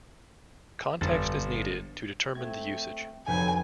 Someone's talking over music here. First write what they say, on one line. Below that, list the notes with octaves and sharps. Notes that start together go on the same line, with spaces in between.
Context is needed to determine the usage.
G1 A6
A3 C4 G#6
F1 D3 F#3 C4 B4 G#5 G6